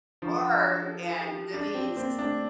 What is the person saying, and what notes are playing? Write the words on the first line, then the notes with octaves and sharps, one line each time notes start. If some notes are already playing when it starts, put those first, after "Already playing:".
hurt and living s"
F3 D4
G4
A4
G4
D4 A4
C4 G4
A#3 C4
A3 D4